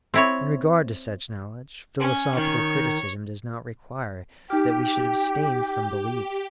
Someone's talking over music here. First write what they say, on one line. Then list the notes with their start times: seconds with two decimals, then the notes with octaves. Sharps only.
In regard to such knowledge, philosophical criticism does not require that we should abstain from belief.
0.14 C4 E4 C#5
2.00 C#4 G#5
2.37 D#3 C#5
4.50 D#4 G4 G5 F6